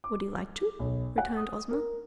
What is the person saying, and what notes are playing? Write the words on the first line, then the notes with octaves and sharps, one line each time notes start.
"Would you like to?" returned Ozma.
D6
B1
F#5
D#6
A#4